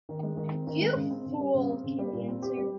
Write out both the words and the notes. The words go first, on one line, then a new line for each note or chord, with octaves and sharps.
"You fool," came the answer.
D#3
G#3
D#3
C4
D#3
G#3
C#3
C4
C#3
G3
C#3
C4
C#3
G3
A#2
C4
G4
G3